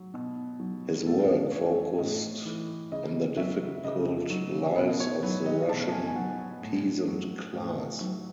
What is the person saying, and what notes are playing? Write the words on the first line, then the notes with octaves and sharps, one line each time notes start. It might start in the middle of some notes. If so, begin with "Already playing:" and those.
His work focused on the difficult lives of the Russian peasant class.
Already playing: F#3
B2
F#3
A2 A4
E3 C#5
A2 D#5
E3
C#3 D#5
F#3 E5
C#3 D#5
F#3
B2 B4
C#5
F#3 B4
D#5
B2 A5
G#5
G#5
F#3 F#5
F#5
A2
F#3
A2
F#3